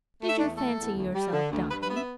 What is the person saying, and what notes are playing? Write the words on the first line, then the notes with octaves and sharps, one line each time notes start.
"Did you fancy yourself dying?"
A3
E5
E2 D4
A3 A4
E2
D2
G3
D3
D2
G2 B4
B4
B3
E5